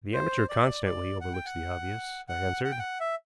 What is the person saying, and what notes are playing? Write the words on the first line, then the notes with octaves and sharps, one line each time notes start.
"The amateur constantly overlooks the obvious," I answered.
C5
D5
D5
F#5
G5
F#5
F#5
F#5
G5
F#5
E5